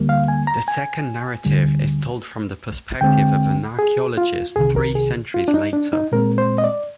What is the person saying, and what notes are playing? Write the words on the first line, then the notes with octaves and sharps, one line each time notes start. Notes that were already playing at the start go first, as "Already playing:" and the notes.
The second narrative is told from the perspective of an archaeologist three centuries later.
Already playing: D2 D3 G3 A#3
F5
G#5
A#5
G#5
D2 D3 G3
D2 D3 G#3 C4 G5
G#4
F4
C2 C3 D#3 G#4
A#4
G#4
F4
D4
D#4
D4
D#4
A#2 G#3 C4 A#4
C5
D#5
D5